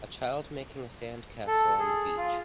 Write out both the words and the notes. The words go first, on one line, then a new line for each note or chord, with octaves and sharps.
A child making a sand castle on the beach.
A4
G#4
F4